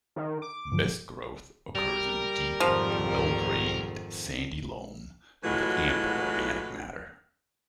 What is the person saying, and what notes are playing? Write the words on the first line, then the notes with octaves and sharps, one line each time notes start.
Best growth occurs in deep, well drained, sandy loam with ample organic matter.
D#3
D6
G2 D3 F3
G3 A#4
F2 G#2 D#3 F3
A2 E3 F#3 G#3 F4 F#4